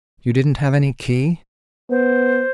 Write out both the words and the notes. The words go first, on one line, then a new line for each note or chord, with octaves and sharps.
"You didn't have any key?"
B3 C5